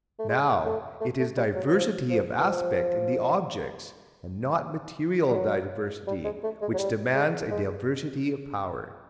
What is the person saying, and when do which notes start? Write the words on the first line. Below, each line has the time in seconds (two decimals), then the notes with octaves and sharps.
Now, it is diversity of aspect in the objects, and not material diversity, which demands a diversity of powers.
0.19 A3
0.29 G#3
0.65 A3
1.01 A3
1.19 A3
1.37 G3
1.55 F#3
1.67 F#3
1.74 F3
2.10 F3
2.39 E3
2.45 F3
5.27 G3
5.35 F#3
6.07 G3
6.25 G#3
6.44 A3
6.61 G#3
6.73 F#3
6.78 G3
7.15 G#3
7.51 G#3